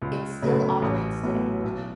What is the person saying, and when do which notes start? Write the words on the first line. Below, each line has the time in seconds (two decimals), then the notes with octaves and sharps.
It still operates today.
0.02 C#2
0.42 C#3 F#3 A3
0.82 A1
1.23 A2 F#3 B3
1.64 B1